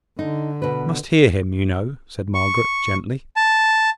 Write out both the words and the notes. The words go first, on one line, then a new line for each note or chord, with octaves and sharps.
"I must hear him, you know," said Margaret, gently.
D3 D#4
B2 B4
C#6
A5